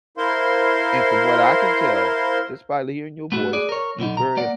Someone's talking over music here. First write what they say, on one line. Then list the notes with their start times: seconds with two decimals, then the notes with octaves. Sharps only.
and from what I can tell, just by hearing your voice, you're very
0.17 E4 A#4 C5 F5 C6
3.32 A3 B3 F#4
3.53 G#4 B4 D5
3.69 A#4 C#5
3.99 B1 D3 B3 D#4
4.17 A#5
4.37 A#3 D5 F#5